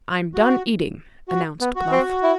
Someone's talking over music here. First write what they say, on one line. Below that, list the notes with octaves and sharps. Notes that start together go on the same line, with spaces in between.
"I'm done eating," announced Bluff.
F#4
F#4
B3
F#4
C4
E4